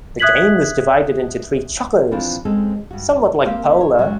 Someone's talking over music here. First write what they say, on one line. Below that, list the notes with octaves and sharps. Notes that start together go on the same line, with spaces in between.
The game was divided into three "chukkers", somewhat like polo.
E5 D#6 F#6 G#6 B6 F#7
E3 F3 C4 D4 F4
G#3 C4 C#4 A4
G2 F#4
A#3 C4 G4 A#4 C5 F5
C#5
G2 F#3 G#3 C#4 F#4